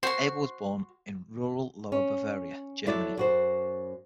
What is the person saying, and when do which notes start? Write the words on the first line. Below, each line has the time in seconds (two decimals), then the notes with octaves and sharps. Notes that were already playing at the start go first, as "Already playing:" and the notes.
Abel was born in rural Lower Bavaria, Germany.
0.03 F#4 C5 C6
1.92 C#4
2.87 F#3 E4 A4 D5
3.17 F#2 F#4 C5